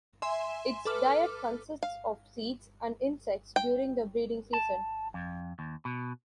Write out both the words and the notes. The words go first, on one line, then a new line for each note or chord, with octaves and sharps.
Its diet consists of seeds, and insects during the breeding season.
E5 G#5 C6 E7
A4 B4 D6 F6
F5
G5
A5
F2
D#2
B2